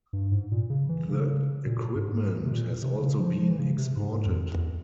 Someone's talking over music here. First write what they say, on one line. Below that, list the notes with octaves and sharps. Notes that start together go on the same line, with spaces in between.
The equipment has also been exported.
G2
G#2
A#2
C#3
E3
C#3
A#2
G#2
C3
A#2
C3
C#3
F3
F3
E3
C#3
C3
G#2
F2
E2